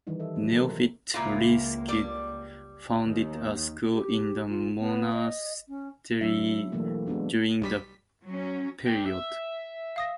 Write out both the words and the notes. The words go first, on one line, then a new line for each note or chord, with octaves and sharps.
Neofit Rilski founded a school in the monastery during the period.
D#3 E3 G3 D#4
G4 A4 D#5 E5
F#3
C3 G#3 B3 A4 A#4 C5
C4 A4
C#2 A#2 A#3 E4 F4
G3 D5
D#2 D#3
G4
F4
B3
D#5
C#4
F#3 D4 E4 E5
B2 E3 F#3 A3 A#3 G4
G#3 B3 D4 F#4
B1 G3 B6
F#3 C#4
D4 G5
E5
F5 D#6 A#6